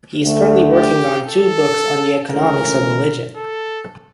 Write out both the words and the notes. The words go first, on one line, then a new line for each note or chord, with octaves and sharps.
He is currently working on two books on the economics of religion.
D2 D3 A3
G4
A4
C#2 C#3 E3 A3 C#4 A#4
A4